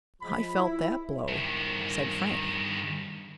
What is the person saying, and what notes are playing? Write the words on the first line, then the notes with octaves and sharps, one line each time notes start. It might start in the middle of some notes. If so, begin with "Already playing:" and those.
"I felt that blow," said Frank.
F3 G#3 B5
E4
G2 D#3